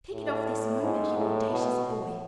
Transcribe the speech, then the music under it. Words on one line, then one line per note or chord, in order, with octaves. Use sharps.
'Take it off this moment, you audacious boy!
A2
G#2
A2
B2
A2